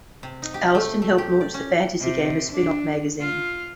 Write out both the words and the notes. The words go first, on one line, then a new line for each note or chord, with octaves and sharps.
Allston helped launch the "Fantasy Gamer" spinoff magazine.
C3
D#4
G4
A3
A3
G4
D5
C#4
C3
D4
F4